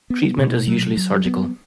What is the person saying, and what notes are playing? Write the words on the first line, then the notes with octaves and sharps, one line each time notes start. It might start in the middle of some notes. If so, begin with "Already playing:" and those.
Treatment is usually surgical.
B3
B2
F#3
F#3
B3